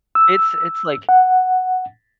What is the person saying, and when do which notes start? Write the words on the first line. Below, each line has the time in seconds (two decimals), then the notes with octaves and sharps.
It's it's, like,
0.15 E6
1.09 F#5